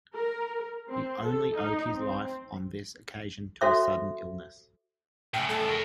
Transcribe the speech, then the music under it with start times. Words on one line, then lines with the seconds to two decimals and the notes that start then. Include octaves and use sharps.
He only owed his life on this occasion to a sudden illness.
0.15 A#4
0.88 C4
1.24 A4
1.55 D#4
1.93 C4
3.61 F#4 A4 C5 E5 D6
5.34 A2 C#3 G5
5.49 A4
5.69 A#4 C#5